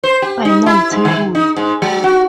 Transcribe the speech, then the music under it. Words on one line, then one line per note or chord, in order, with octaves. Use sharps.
Final table.
C5
G4
D#4
E4
G#2
D#3
D#4
G#2
F#3
F#4